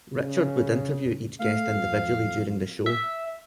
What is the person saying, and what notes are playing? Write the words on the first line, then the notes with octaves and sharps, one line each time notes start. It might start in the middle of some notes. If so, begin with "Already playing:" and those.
Richard would interview each guest individually during the show.
C#3
A3 F5
F2
E5